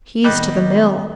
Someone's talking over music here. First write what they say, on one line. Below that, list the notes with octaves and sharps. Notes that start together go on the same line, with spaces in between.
"He's to the mill."
A1 D#3 G3 B3 D#5 F#6